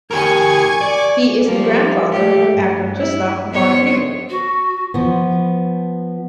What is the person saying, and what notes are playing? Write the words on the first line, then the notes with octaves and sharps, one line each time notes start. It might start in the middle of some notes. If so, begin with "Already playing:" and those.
He is the grandfather of actor Christoph von Friedl.
G4 A#4 G#5 C#6 G#6
D5
F3 G3 A#3
G3 A3 G4
G2
E4
B3 C5 C#5
F#4
F3 B3